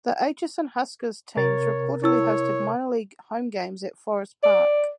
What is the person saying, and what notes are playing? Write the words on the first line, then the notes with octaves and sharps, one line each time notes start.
The Atchison Huskers teams reportedly hosted minor league home games at Forest Park.
C3 A#4 C#5 A6
E4 C#5 E6
D5